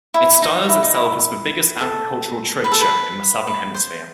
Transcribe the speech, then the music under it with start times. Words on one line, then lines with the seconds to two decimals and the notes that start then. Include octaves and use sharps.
It styles itself as "the biggest agricultural trade show in the southern hemisphere".
0.14 E4
0.42 D#4
0.69 E4
0.83 D#4
0.95 E4
1.81 A4
2.64 B4
2.72 A4
2.80 B4
3.47 B4
3.74 C5